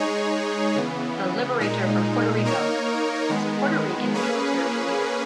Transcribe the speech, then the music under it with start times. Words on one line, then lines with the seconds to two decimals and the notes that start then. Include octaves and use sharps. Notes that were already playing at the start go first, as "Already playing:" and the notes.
The Liberator from Puerto Rico, was a Puerto Rican military leader.
Already playing: G#3 D#4 G#4 C#5
0.76 C#3 E3 B3
1.61 A#2 G#3 D#4
2.45 A#3 D#4 A#4 C#5
3.29 D#3 G#3 B3
4.14 A#3 C#4 G#4 B4